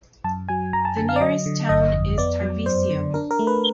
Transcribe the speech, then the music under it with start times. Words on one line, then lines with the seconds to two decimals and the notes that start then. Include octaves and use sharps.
The nearest town is Tarvisio.
0.24 F#2 A5
0.49 F#3 G#5
0.73 F#2 A#5
0.85 A5
0.97 D3 A5
1.09 F5
1.16 D5
1.21 F#3 D#5
1.46 D3
1.69 G1 D#5
1.94 F2
2.18 B3 D5
2.42 F#3
2.66 F#2 C5
2.90 D3
3.14 D4 A#4
3.31 A#4
3.39 A3
3.47 B4